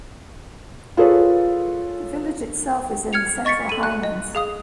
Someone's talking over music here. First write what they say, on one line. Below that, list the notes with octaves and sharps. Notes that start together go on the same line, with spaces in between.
The village itself is in the central highlands.
F4 G#4 A4 B4 C#5
F6 G#6 C#7 F7
D#5 C#6 A6 B6 C#7
A4 D#7
F#6
D#5
G#4 F5 D#6